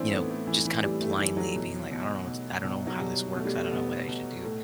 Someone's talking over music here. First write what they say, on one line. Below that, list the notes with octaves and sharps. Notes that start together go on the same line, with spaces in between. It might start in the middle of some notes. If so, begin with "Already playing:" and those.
you know, just kind of blindly being like, "I don't know what I don't know how this works. I don't know what I should do
Already playing: A2 E3 A3 C4 D4 E4
A2 B3
A3
E3
E3
A2 G3
A3
A3
E3 G3
F#3
B2
B2
B2
B2
F#3
B2 G3
B2 A3
G3
A3
B2 B3
B2
A2